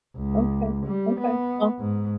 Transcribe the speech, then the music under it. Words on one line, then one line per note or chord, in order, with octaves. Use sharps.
Okay, okay, well
C#2
G3
B3
G#2